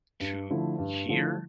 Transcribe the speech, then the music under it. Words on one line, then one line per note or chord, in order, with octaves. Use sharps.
to hear
G2
D3 F3 A3 E4
G2
D3 F3 A3 E4